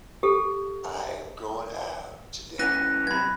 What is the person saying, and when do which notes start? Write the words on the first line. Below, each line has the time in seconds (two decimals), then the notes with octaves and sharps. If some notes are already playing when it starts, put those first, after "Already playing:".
I am going out to dinner.
0.23 G4 A4
2.59 E3 B3 C#4 F#6 A#6 D#7
3.07 B1 C3 B5 G#6